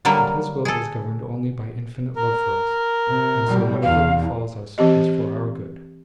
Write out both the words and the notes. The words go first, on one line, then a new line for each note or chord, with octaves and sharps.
And His will is governed only by infinite love for us, and so whatever befalls us is for our good.
D3 F#3 G3 A#3 A#4
G#4 A4
A#4
C3
B2 G3
E2 F5
E3 C4 G4 D#5